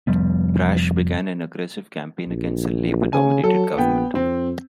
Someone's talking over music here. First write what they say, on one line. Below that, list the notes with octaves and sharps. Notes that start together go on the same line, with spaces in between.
Brash began an aggressive campaign against the Labour-dominated government.
F1 F3 G3 B3
A#1
C#3 G#5
F#3 A4
A#1 B3 G5
F2 C4